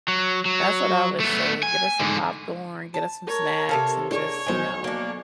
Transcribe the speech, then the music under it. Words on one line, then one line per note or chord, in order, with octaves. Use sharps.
that's what I would say. Get us some popcorn, get us some snacks, and just, you know,
F#3
F#3
A3 B3
G#5
G#2 D3
A5
A#4 C#5
C3 A4 F5
A#3 D4 G#4 C#5 C#6
B1 D#3 C5 G#5
A#3 D4